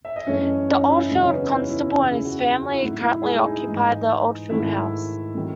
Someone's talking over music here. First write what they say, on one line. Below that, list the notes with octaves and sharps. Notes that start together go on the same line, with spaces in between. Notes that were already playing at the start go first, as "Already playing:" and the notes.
The Old Field Constable and his family currently occupy the Old Field house.
E5
D#5
F#2 E3 A3 C#4 C#5
C#4 C#5
D#4 D#5
E4 E5
E4 E5
E2 C#3 F#3 A3 D#4 D#5
C#4 C#5
B3 B4
D#4
E4
F#4
E4
E2 C#3 E3
G#4
F#4
E4
F#4
E4
A2 F#3 A3 D#4
E4
G#3 G#4
D#4 D#5
G#2 E3 G#3
G#2 D#3 A3 E4 E5
D#3 F#3 A3